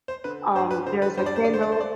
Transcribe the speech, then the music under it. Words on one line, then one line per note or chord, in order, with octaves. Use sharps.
um, there's a kennel
C5
D3 B4
G2 C5
B4
D3 C5
B4
G2 C5
D5
C5
D5
D3 C5
D5
C5
D5